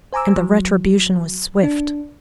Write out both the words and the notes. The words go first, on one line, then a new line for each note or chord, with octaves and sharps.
And the retribution was swift.
C5 G#5 A#5 D6 E6
F#3
D4